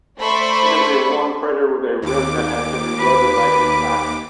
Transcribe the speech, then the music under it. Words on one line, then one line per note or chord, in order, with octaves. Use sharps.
It is a worn crater with a rim that has been eroded by impacts.
A3 C5 D5 E5 B5 C#6
D#2 D6
B4